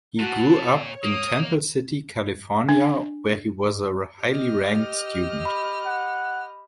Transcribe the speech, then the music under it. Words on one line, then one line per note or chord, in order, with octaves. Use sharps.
He grew up in Temple City, California, where he was a highly ranked student.
A#2 F#4 F#5 A5
C#5
A#3 D#6
D4
G4 D#5 F6
B5
F#5